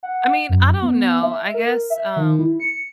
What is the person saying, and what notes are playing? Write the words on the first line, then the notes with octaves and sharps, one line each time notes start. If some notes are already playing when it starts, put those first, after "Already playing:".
I mean, I don't know, I guess, um,
F#5
F#2
B3
E5
A#4
E5
D#3
E4
C#7